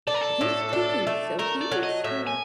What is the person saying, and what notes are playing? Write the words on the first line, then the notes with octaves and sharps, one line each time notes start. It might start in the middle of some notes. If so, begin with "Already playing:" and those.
He's cuckoo. So he used to
D4 A4
A#4
A4
A2
D4
A3
A3 A#4
D5
F#3
D#5
A2 E5
G#5